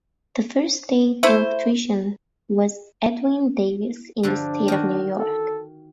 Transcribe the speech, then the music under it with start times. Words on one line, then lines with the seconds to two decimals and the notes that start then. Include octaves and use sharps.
The first state electrician was Edwin Davis in the state of New York.
1.23 A3 E4 C5
4.23 G2 D3 F3 D4
4.68 D#3 F#4
5.18 A4